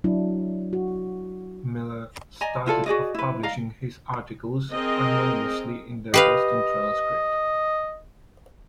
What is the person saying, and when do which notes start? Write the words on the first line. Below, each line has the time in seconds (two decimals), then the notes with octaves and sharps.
Miller started off publishing his articles anonymously in the "Boston Transcript".
0.04 F#3 D4 E4
0.73 F#4
2.41 D5 D#5 G#5 A#5
2.66 E4 F4 A4 D5
2.86 F#4 G#4 D5 D#5
3.15 E4 B4
3.43 D5 D#5 F5 A#5
4.72 C4 G#4 A#4 D#5
6.14 G4 B4 D#5 F5